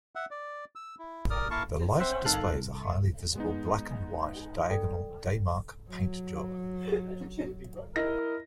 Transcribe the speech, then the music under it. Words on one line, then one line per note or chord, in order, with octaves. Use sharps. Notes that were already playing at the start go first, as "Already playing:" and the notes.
The light displays a highly visible black and white diagonal Daymark paint job.
E5 F#5
D5
E6
E4
A#4 D5 D#6 F6
A#3 E4 A#4 F5 A5 C#6
C4 C5 E5 F#5
G1 D#3 A4 F5 F#6
C2
G#3 B3 D#4
A4 D5 G5
F#3
E4 A#4 D#5 A#6